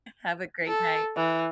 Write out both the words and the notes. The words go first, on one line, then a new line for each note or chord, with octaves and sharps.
Have a great night.
A4
E3